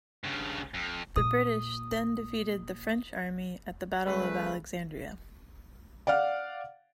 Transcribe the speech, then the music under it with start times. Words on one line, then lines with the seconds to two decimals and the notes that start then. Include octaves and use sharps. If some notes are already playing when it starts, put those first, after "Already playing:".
The British then defeated the French army at the Battle of Alexandria.
0.24 G2 C#3
0.74 F2
1.16 A#2 D#6
4.06 C#3 G3 A3 B4
6.07 D5 F5 F#5 F6